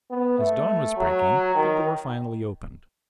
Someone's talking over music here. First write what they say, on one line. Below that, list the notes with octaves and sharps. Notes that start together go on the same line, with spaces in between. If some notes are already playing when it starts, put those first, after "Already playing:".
As dawn was breaking, the door finally opened.
B3
A3
F#3
D#3